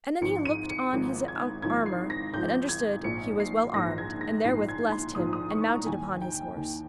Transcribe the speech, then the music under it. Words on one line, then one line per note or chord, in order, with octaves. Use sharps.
And then he looked on his armour, and understood he was well armed, and therewith blessed him and mounted upon his horse.
G#1 G#2 F3 C#7
D#7
C#7
G#1 G#2 F3
G#6
G#1 G#2 F3 G#6
C7
A#6
G#1 G#2 F3 G6
G#6
A#1 G#2 F3 C#7
C7
A#1 G#2 F3 A#6
G#6
A#6
A#1 G#2 F3 C7
G#6
C6
A#1 G#2 F3 D#6
D#6
C#6
A#5
D#2 D#3 G#5
G5
D#2 D#3